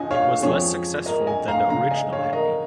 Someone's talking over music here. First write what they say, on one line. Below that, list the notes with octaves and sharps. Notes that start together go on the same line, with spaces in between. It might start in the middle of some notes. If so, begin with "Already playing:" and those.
It was less successful than the original had been.
Already playing: C#2 C#3 F3 C#4 D#5 G#5
C#5 F5
F2 F3 G#3 C#4 G#4 C#5
A#4 D#5
D#5 G#5
F5 A#5
C#2 C#3 G#3 F5 A#5
D#5 G#5
C#5 F5
A#4 D#5